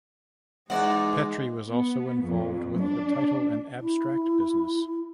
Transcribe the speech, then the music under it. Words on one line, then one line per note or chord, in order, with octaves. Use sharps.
Petri was also involved with the title and abstract business.
E2 G#3 D#4 D5 F#5
B3
F2
D4
E4